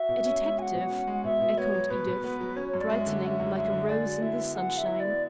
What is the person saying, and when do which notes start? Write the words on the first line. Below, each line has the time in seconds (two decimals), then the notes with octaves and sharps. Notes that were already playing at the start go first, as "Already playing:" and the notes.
"A detective!" echoed Edith, brightening like a rose in the sunshine.
Already playing: F#4 E5
0.09 B2
0.25 C#4
0.41 G#3
0.58 F#4 F#5 G#5
0.75 B2
0.90 C#4
1.07 G#3
1.13 F#5
1.24 B2 E5
1.40 B2
1.57 B3 C#5
1.74 F#3
1.90 B2 B4
2.07 B2
2.24 B3
2.40 F#3
2.56 C#4 C#5
2.67 C#5
2.74 F#2
2.79 D5
2.89 G#3 E5
3.06 D3
3.22 C#4 F#5
3.27 E5
3.40 F#2
3.56 G#3 E5
3.72 D3
3.89 G#4 D5
4.05 F#3
4.22 E4 E5
4.38 B3
4.55 G#4 F#5
4.71 F#3
4.77 E5
4.87 E4
4.99 D5
5.05 B3